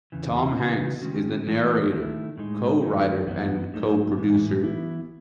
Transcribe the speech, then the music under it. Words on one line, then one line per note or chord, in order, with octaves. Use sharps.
Tom Hanks is the narrator, co-writer and co-producer.
E2 C#3 E3
C#3 E3 B3 D#4 F#4
D#3 G#3 C#4 F#4
E3 A3 D#4
D#3 A3 E4
A2 G#3 D#4
D#3 F#3 A3
F#2 E3 B3 D#4 F#4
G#2 F#3 A3 D#4
A2 E3 G#3
E3 B3 E4